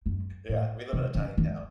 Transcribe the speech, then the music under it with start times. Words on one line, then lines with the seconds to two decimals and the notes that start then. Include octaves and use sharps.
yeah, we live in a tiny town.
0.06 F#2
0.49 A2
0.93 C3
1.15 C#3
1.37 D#3